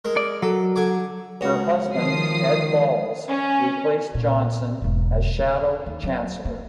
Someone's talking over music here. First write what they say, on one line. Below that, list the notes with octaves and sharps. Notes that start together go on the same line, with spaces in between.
Her husband, Ed Balls, replaced Johnson as Shadow Chancellor.
G#3 A#4
D5
F#3 A4
D3 G#5 D6
C#2 F#4
D#3 F3 D#6 C7
C#4
A#2
E1 G#2
E2
D#2
F#3
A#3